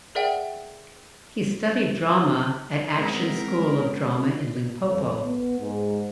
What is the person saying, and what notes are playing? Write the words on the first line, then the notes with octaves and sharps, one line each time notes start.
He studied drama at Action School of Drama in Limpopo.
G#4 A#4 D5 E5 F#5 G5
G#3 B3 C4 A#4
F2
B3
G#2